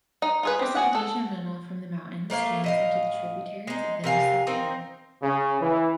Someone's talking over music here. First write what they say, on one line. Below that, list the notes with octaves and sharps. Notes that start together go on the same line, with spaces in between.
Precipitation runoff from the mountain drains into tributaries of the Nooksack River.
D#4
F4 G#4 B4
C4 G4
F#4 G#4 F#5
A4
A3 A#3 D5 F5
A2 D#5 F5
G#3 D#4
C3 A#4 F5 G#5
C4 D#4 A#4 C5
C#3
E3